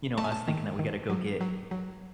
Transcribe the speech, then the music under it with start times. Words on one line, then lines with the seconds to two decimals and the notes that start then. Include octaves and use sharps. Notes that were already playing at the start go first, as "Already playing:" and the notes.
you know, us thinking that we gotta go get,
0.18 A3 A5
0.24 G#5
0.32 A5
0.48 D#3
0.79 D#3
1.10 F#3
1.41 F#3
1.71 F#3